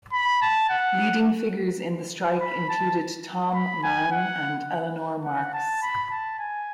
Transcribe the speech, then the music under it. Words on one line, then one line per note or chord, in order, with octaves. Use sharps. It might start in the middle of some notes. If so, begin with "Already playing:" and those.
Leading figures in the strike included Tom Mann and Eleanor Marx.
B5
A5
F#5
B5
A5
B5
G#5
F#5
F#5
A5
B5
A5
G#5